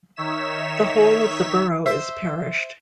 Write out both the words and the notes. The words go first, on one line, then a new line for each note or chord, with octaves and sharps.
The whole of the borough is parished.
D#3 D#4 C#5 E5 B6 E7
C5 E5